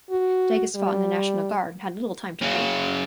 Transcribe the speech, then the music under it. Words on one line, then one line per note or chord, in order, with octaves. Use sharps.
Degas fought in the National Guard and had little time to paint.
F#4
G3
F#2 C#3